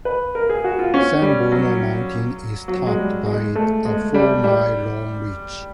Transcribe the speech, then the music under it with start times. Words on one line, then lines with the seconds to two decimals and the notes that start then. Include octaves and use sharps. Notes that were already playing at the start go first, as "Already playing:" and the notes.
San Bruno Mountain is topped by a four mile long ridge.
0.05 B4
0.35 A#4
0.49 G#4
0.64 F#4
0.79 F4
0.94 C#4
1.22 G3
1.52 F#3
2.68 F#3
2.87 G#3
2.98 G3
3.26 G#3
3.55 A3
3.85 G#3
4.14 G3
4.44 G3